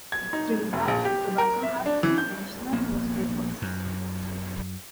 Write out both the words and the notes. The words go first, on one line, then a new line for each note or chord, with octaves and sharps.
Trinidad and Tobago has three national newspapers.
G#6
D#4
F1
A#1
G4
A#4
E5
D4
E3
G6
A#1 A#3 B3
F#2